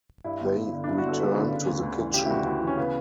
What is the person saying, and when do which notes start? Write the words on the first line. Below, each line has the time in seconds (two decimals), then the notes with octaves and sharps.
They returned to the kitchen.
0.24 G2 E4
0.41 G1
0.57 G1
0.72 D3
0.84 D4
0.88 G2 E4
0.98 F#4
1.04 G1 A4
1.20 G1 B4
1.36 D3
1.51 C#3
1.67 D2
1.83 D2
1.98 E3
2.14 C#3 G4
2.25 E4
2.30 D2 F#4
2.46 D2 E4
2.62 E3
2.67 C#4
2.77 C#3 B3